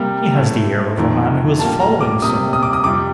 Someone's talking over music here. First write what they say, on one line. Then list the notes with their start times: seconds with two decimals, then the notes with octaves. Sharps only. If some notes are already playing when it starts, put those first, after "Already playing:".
"He has the air of a man who is following some one."
Already playing: C3 G3 A#3
0.34 A2 A3
0.97 F2 D#3 A3
1.59 A#2 G3 A#3 A5
1.80 A#5
2.01 D6
2.22 C3 G3 A#3 D#6
2.53 D#6
2.63 D6
2.73 D#6
2.84 F2 C3 G3 D6